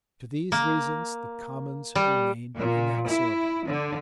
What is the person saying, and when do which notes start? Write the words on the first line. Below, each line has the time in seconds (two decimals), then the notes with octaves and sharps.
To these reasons the commons remained inexorable.
0.52 A#3
1.95 G3
2.56 A#2
3.07 E4
3.65 D3